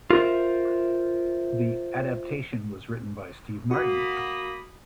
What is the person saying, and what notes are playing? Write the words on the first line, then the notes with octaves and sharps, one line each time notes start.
The adaptation was written by Steve Martin.
F4 A#4 C5 E5
A#3 F#4 B5 D#6